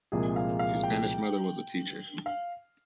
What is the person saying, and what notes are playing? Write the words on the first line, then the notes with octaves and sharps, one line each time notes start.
His Spanish mother was a teacher.
C2 A#2 F3 G#3 G#4
F5
F5
G5
F5